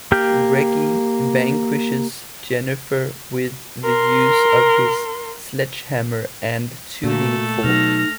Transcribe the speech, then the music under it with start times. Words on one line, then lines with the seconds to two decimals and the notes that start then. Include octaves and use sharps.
Reggie vanquishes Jennifer with the use of his sledgehammer and tuning fork.
0.12 A#3 G4 G5 F6 G6
3.84 A#4 C6
7.04 A#2 A3 F#4 A4
7.64 B2 F#3 D#4 F6 A#6